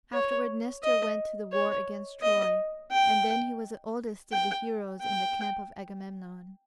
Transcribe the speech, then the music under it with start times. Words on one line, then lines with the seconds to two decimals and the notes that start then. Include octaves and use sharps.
Afterward Nestor went to the war against Troy, and then he was the oldest of the heroes in the camp of Agamemnon.
0.13 C#5
0.83 D#5
1.53 C#5
2.22 D#5
2.92 G5
4.32 G5
5.02 G5